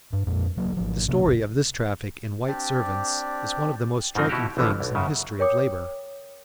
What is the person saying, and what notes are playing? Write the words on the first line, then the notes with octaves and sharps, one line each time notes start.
The story of this traffic in white servants is one of the most striking things in the history of labor.
G2
F2 A#2 G#3
D1 F#3 A#3
G#1 F3
C3 A#3 D4
E1 B1
C4 D4 G4 D5
G#2 C#3 F3 C4 D#4
B2 E4 F#4 G4
A1 D3 E3 F3
B1
F#2 C#3
A#4 C#5 G5 D6 D#6